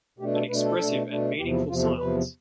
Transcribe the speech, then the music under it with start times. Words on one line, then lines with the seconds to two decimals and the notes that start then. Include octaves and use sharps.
An expressive and meaningful silence.
0.19 B2 A3 D4 G4
0.33 A4
0.49 B2 A3 D4 B4
0.64 A4
0.78 B2 A3 D4
1.08 B2 A3 D4
1.38 E2 C3 F3 G4
1.53 E4
1.69 E2 C3 F3 F4
1.83 A4
1.98 E2 C3 F3 B4